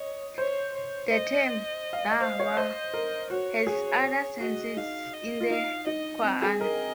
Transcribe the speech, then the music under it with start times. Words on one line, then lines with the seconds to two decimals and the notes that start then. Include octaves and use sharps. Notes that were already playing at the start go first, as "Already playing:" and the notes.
The term "da'wah" has other senses in the Qur'an.
Already playing: C#5 D#5
0.37 C5 C#5
0.74 C#5
1.11 C5 D#5
1.93 F5
2.11 D#5
2.21 C5 F5
2.40 C#5
2.57 C5 D#5
2.94 A#4
3.30 F#4 C#5
3.67 G#4
4.40 F#4 D#5
4.77 D#4 F5
5.13 D#5
5.40 F4
5.50 D#4 F5
5.87 D#4 D#5
6.23 C4
6.42 G#4
6.61 A#4 D#5